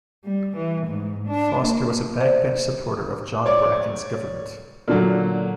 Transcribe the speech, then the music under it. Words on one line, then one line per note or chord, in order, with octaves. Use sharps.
Foster was a backbench supporter of John Bracken's government.
G3
E3
G#2
D4
A#3
C5 D5
C#5 D5 D6
A#2 D3 F#3